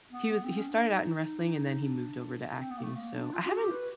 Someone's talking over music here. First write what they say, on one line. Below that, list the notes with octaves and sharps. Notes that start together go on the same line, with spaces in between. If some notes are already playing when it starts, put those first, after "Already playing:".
he was he started out in wrestling, and then he moved over to acting, so I haven't
B3
B3
C4
C#4
D4
D#4
D#4
D#4
D4
C4
B3
A#3
A3
A#3
D4
F4
F#4
G4
B4